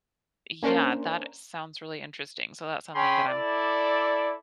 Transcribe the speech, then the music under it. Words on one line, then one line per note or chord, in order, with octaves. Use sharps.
Yeah. That sounds really interesting, so that's something that I'm
A#3 C#4 D4 A#4 C5
C#4 G#4 G5 B5 C6
E4 A4 D5